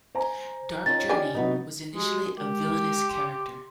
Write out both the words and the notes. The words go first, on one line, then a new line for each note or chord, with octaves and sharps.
Dark Journey was initially a villainous character.
C5 G#5 A#5
D#3 C#4 F4 A6
D4 G4 G#5
C3 F#3 B3 D#4
G#3 F#4 G4
G#3 G4 A#4
C6